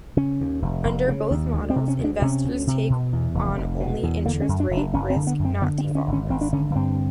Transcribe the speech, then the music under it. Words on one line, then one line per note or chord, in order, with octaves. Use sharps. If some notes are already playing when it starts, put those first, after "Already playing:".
Under both models, investors take on only interest-rate risk, not default risk.
C#3 C#4
D#2
F1
F1
C#3
D#2
D2
C4
C3
C#4
D2
D4
C3 C#4
D2
C3
B2
E2
F1
F1
B2
E2
D3 A#3
C#4
F#2
D4
F#1
D4
F#1 C#4
C4
D3
B3
F#2
C4
D3 B3
C4
G2
C#4
G#1
C#4
G#1 C4
D4
D3 C#4
G2 C4